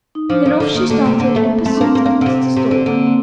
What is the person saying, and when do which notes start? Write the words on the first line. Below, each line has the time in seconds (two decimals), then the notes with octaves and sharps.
Then off she started in pursuit of Mr. Stork.
0.15 D#4
0.30 F3 D4
0.46 D#3
0.60 D3
0.74 D#3 A#3
0.90 D3 A3
1.06 C3 A#3
1.20 D3
1.36 A3
1.65 A3 C4
1.77 A#3 D4
1.87 C4
1.95 A#3
2.06 A#3
2.21 D3
2.26 C3 C4
2.56 C3
2.71 D3
2.86 D3 A#3
2.93 C4
3.00 A#3
3.07 C4